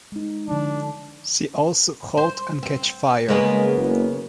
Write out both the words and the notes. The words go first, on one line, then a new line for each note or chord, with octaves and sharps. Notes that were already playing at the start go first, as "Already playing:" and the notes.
See also "Halt and Catch Fire".
G#3 D#4
D3 F3 D4
C5
C4
C#3 G#3 A#3 B3
F#1